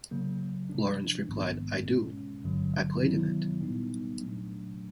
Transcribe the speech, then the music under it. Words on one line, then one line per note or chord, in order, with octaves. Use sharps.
Lawrence replied I do, I played in it.
C#3 F#3 A#3
C3 F3 A#3 D4
A#1 G#2 D#3 G#3 B3
B2 G#3 C#4
G1 G2 D3 F#3
C3 D#3 F#3 B3 E4
A#2 G3 B3 D#4
A#2 F#3 A3 D4